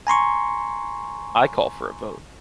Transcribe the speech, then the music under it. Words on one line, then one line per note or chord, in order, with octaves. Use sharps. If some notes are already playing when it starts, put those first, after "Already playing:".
I call for a vote.
G#5 A#5 C6 C#6